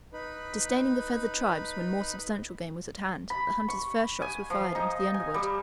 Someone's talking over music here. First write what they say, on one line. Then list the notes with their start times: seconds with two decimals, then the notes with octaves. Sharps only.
Disdaining the feathered tribes when more substantial game was at hand, the hunters' first shots were fired into the underwood.
0.13 D#4 B4 B5
3.30 B5
3.68 C#6
4.22 G#5
4.50 F3
4.75 D#4
5.14 G#5
5.34 G3